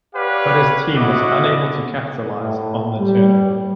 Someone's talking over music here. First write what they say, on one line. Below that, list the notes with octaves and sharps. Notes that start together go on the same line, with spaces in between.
But his team was unable to capitalize on the turnover.
G4 B4 C#5 D5 F5 F#5
E4 F#4 A4 D#5 F#5 D6
A2
G3